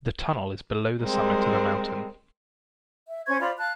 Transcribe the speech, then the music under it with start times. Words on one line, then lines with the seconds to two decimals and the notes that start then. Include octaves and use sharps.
The tunnel is below the summit of a mountain.
1.01 G3 G#3 C4 A#4
3.07 E5
3.27 C#4 C5 C#6 G#6
3.40 F4 C5 D5 B5
3.58 F5 A5 F#6